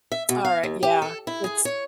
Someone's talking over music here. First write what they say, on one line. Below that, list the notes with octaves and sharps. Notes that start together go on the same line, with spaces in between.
Alright, yeah, it's
E5
B2
F5
D#2
G4
A4
E4
G#4
C#5